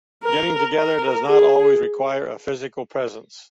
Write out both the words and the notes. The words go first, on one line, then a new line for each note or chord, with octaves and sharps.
Getting together does not always require a physical presence.
A#4
A#4
G#4